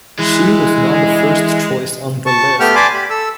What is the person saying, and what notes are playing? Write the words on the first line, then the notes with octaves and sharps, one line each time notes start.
She was not the first choice on the list.
E3 G#3
A5 C#6
A3 B3 G4 G5 F6
D5 G#5 A5 B5 C6 D6
G4 B5
A4 E6